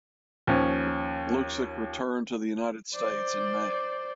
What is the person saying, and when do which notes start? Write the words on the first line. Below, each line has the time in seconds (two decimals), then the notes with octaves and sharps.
Luksic returned to the United States in May.
0.47 D#2 F3 C#4
2.95 C5 D5